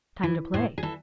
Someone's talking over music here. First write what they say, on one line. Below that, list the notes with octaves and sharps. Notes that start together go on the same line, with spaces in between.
"Time to play."
E3
A2 C5
G#4
E3 A4